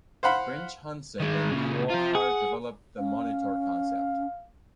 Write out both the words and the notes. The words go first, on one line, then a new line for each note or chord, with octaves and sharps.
Brinch Hansen and Hoare developed the monitor concept.
C5 F5 F#5 B5
D#3 G#3
A#2 C#3
F3 F4
G#4 F#5
C#4 F5